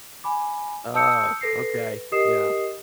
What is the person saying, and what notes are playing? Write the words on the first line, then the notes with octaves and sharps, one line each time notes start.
Oh, okay, yeah.
G#5 B5 D6
A5 D#6 E6 G6 C#7
A4 B4 A#6 C7
G4 A#4 D#5 D#6 C7 E7